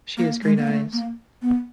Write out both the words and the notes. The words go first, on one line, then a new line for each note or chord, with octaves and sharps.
She has green eyes.
A#3
G#3
A#3
A3
A#3
B3